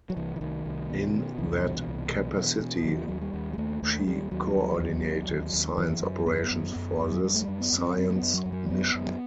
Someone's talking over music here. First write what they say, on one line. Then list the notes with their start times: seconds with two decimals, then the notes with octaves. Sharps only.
In that capacity she coordinated science operations for this science mission.
0.10 F#3
0.17 C2 E3
0.36 E3
0.41 C2 D#3
0.66 C2
0.90 B2
1.14 B2
1.38 C2 E3
1.63 B2
1.87 C2
2.11 B2
2.36 B2
2.60 B2
2.84 D#2 F#3
2.97 E3
3.08 D#2 F#3
3.21 G3
3.33 D#2
3.53 G3
3.58 D#2 A3
3.82 D#2 A3
4.07 D#2 G3
4.31 D#2 F#3
4.56 D#2
4.80 D#2
5.05 D#2
5.29 D#2
5.53 D#2
5.78 F#2 E3
6.02 F#2
6.26 F#2 B3
6.51 F#2
6.76 F#2
7.00 F#2
7.12 F#3
7.24 F#2 G3
7.34 A3
7.42 G3
7.48 F#2
7.61 B3
7.72 F#2
7.78 C4
7.97 F#2 C4
8.10 A3
8.16 B3
8.22 F#2
8.34 F#3
8.46 F#2
8.52 F#3
8.66 A3
8.70 F#2 B3
8.95 F#2